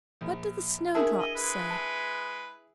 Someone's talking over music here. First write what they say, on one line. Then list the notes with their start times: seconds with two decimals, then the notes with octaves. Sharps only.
What did the Snowdrops say?
0.21 A#1
0.95 D4 E4 G#4 A#4 A5 E6
1.19 D#5
1.35 G#3 B4
1.70 A5